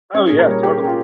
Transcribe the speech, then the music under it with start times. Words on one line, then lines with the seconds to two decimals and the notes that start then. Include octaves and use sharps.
Oh yeah, totally.
0.14 C#4 C#5
0.27 A#2 G#4
0.39 A#4
0.47 G3 C#5
0.63 G4 G#4
0.80 C#4
0.87 F4